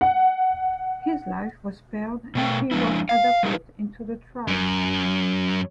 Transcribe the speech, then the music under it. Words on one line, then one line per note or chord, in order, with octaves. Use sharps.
His life was spared and he was adopted into the tribe.
F#5
B2 A3 G5
F3 G#3 D4 E4
F5
G3 G#3 A#3 D#4 G4
F#2